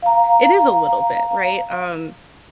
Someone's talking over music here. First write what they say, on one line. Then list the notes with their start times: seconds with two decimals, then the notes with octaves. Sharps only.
it is a little bit, right? Um,
0.02 F5 A#5